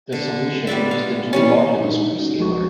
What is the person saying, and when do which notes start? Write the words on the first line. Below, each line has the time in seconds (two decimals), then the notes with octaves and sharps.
The solution is the dual modulus prescaler.
0.12 D3
0.67 G3 B3 D5 E5
0.91 F5
1.33 E3 G3 C#4
1.80 A#2 G#3 D4 D#4
2.18 C#4 D#4 F#4
2.38 C2 F3 G#3 F#4 C#6